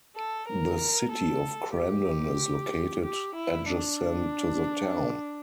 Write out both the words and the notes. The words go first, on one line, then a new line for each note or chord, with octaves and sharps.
The City of Crandon is located adjacent to the town.
A4
A#4
A4
G4
G4
E4
D4